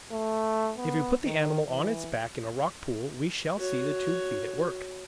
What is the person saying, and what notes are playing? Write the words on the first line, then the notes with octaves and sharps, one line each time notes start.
If we put the animal on its back in a rock-pool we shall see the tube-feet at work.
A3
B3
D#3
E3
F#4 C#5